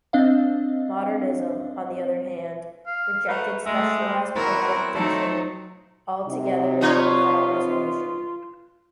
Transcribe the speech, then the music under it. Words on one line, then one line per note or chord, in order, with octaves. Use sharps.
Modernism, on the other hand, rejected specialized poetic diction altogether and without reservation.
C4 D4 D#5 F5
F5
F#3 A3 B4
F#3 G#3 A3 E5
C5
F#3 B3 C4 E4 A#4
F#3 A3 A#3 C4 D#4 A4
C3 D#4
B3 D4 F4 C#5